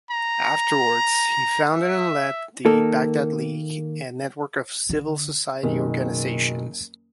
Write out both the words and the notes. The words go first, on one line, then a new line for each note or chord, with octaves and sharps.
Afterwards he founded and led the "Baghdad League", a network of civil society organisations.
A#5
E5
D#3 A#3 A4
D3
F#1 B2 D#3